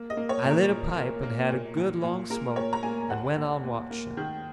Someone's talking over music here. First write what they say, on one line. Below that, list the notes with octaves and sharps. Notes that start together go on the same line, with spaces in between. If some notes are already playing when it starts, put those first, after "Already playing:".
I lit a pipe and had a good long smoke, and went on watching.
Already playing: A#3
D#5
A#3
C#5
A#2
A#4
A#2
A#3
A#3
A#2
A#2
A#2
A#3 A#4
A#2 C#5
A#5
A#3 G#5
D#2 F#5
D#2
D#2
A#3
D#3